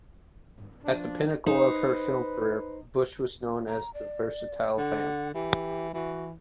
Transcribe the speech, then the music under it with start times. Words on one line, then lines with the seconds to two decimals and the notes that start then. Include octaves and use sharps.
At the pinnacle of her film career, Busch was known as the "versatile vamp".
0.85 F3 D4
1.46 D#4 B4 C5
3.68 A#5
3.94 D5
4.78 D3 F#5
5.34 E3 G4
5.93 E3 F#4